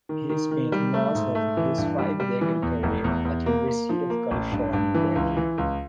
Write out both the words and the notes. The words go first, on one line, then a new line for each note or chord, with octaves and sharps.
He spent most of his five-decade career at the University of California, Berkeley.
D#3
D#3
D#3
G3
A3
G#2
A3
E3
G2
G3
G3
E3
E2
F1
E2
E2
A#3
A#3
F3
A#3
A1
G2
G2
E3
C#2
E3
C#2